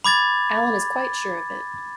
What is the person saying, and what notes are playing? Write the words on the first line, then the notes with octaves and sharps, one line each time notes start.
Allan is quite sure of it.
B5 D6 G#6 A6